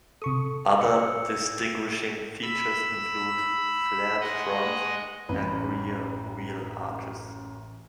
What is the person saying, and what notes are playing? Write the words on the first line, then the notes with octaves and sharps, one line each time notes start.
Other distinguishing features include flared front and rear wheel arches.
C3 A4 C#6 D#6
E6 C#7
B5 E6
G#3 D#5 F#5
A1 F#2 E3 B4